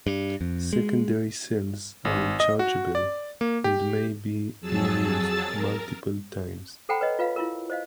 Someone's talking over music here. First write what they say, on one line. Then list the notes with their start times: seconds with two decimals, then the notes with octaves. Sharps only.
Secondary cells are rechargeable, and may be reused multiple times.
0.07 G2
0.41 F2
0.73 G#3
2.05 G#1
2.40 D#5
2.59 F#4
2.95 D5
3.41 A#3
3.64 G4
4.61 F2 F#3 G#4 A5 E6 A6
5.46 A#4
6.89 A4 C5 F#5 G5 A#5 B5
7.01 B4 C#5 D#5
7.19 F4 B4 F5
7.36 E4 F4 A#4
7.70 C5 D#5 F5